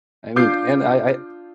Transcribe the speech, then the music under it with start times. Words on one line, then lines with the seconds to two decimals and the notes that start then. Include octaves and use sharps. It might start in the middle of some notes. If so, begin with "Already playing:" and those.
I mean, and I I
0.36 D4 F4 D6 G6 C7